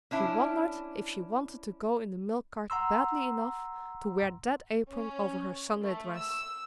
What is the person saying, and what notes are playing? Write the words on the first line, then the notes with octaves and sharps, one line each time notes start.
She wondered if she wanted to go in the milk cart badly enough to wear that apron over her Sunday dress!
C#4 D4 E4
F#5 A#5 C6 E6
C#4
A3
E6